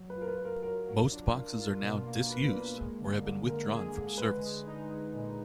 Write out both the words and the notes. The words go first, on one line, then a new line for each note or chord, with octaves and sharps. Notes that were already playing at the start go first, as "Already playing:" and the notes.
Most boxes are now disused or have been withdrawn from service.
Already playing: F#3
B4
F4
A#4
B4
F4
A#4
F#3 A#4
F#3
D4
F4
F4
B2
A#3
B4
A#3
G#3
D3
D3
D3 A#4
G#4
D3
G#3 B4
G#3
D#4
G#3
A#2